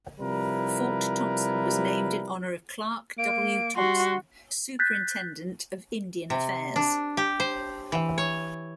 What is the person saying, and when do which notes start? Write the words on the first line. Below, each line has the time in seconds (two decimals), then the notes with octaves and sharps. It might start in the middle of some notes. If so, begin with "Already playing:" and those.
Fort Thompson was named in honor of Clark W. Thompson, Superintendent of Indian Affairs.
0.21 C3 F3 G3 E4 A#4 B4
3.18 A#3 D7
3.76 G3 F#4 C6
4.79 F#6 G6 A6 B6
6.30 C3
6.76 D4
7.17 G4
7.40 C5
7.92 E3
8.18 C#5